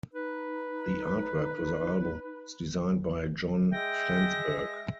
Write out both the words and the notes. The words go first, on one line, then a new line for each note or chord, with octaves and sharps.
The artwork for the album was designed by John Flansburgh.
D#4 B4
G#3 E5 G5 A#6